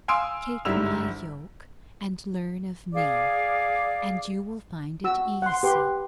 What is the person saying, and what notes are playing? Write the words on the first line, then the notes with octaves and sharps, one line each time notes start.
Take My yoke and learn of Me, and you will find it easy.
F5 G#5 C6 D#6 E6 D7
G1 G#2 G3 E4 E6 F7
G#4 D5 F5 D6
F#4 E6
F#5 C6
G4 B4 C6